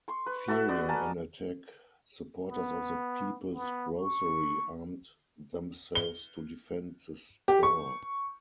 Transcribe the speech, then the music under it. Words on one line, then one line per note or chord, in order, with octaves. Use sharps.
Fearing an attack, supporters of the People's Grocery armed themselves to defend the store.
C6 C#6
B4
F#4 A4 B4 E5
B4 D5 D#5
A#4 G#5 A5
B3
B3
C#6
G7
G4
C#6